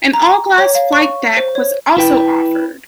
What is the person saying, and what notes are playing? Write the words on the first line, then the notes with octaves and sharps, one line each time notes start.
An all-glass flight deck was also offered.
A#5
C#5
F5
C#6
C5
C#5
E4 B4 G5